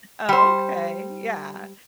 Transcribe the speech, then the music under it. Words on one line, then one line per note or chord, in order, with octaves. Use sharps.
Oh, okay. Yeah,
G3 C5